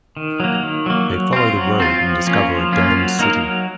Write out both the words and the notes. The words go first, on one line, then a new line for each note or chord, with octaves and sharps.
They follow the road and discover a domed city.
D#3
F#3 A#3
D#3
F#3 A#3
F#3
C4 F4
F#3
C4 F4
F3
A#3 C#4 F4
F3
A#3 C#4 F4
F#3
A#3 D#4 A#4
F#3